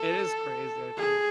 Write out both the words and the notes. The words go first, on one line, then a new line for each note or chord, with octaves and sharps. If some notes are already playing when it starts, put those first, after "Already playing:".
It is crazy, I think,
Already playing: A4
G#4